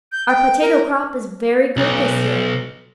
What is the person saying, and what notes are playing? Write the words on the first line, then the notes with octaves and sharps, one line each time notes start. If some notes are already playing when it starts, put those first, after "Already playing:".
Our potato crop is very good this year.
G6
G5
A#4
B1